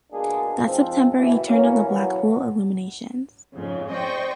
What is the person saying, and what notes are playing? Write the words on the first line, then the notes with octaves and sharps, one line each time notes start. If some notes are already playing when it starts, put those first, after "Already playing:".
That September he turned on the Blackpool Illuminations.
B2 G#3 A#3 D4 G#4
G#2 F3 C4
G#1 B2 E3
E3 F#3 A#3 C#4
B2 E3 F#3
F2 G#2 C#3
C5 D5 D#5 G5 C#6